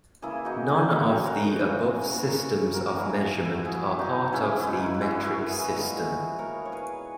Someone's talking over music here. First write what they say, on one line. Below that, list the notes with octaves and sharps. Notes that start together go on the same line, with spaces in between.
None of the above systems of measurement are part of the metric system.
C#3 E3 A#3 E4 G#4
D#4 F#4
E4 G#4
D#4 F#4
F#4 A#4
C#3 E3 A#3 G#4 B4
A#4 C#5
F#4 A#4
B2 A#3 E4 G#4
E4
F#4
E4 G#4
D#4 F#4
C#3 E3 G#3 C#4 E4
E4
D#4 F#4
E4
F#4
E4 G#4
F#4 A#4
G#4 B4
A#2 G#3 B3
A#4 C#5
C#5
G#4 B4